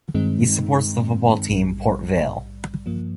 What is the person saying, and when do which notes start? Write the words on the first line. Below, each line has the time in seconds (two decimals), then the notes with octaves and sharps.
He supports the football team Port Vale.
0.14 G2 D#3 G#3 C4 D#4
1.50 A#1 G#2 G3
2.86 G2 F3 A#3